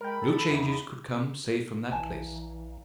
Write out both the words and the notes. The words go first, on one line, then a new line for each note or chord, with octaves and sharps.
No changes could come save from that place.
G#3 A#4 G5 B5
A4
E2 D#4
A#1 E3 G#5 A5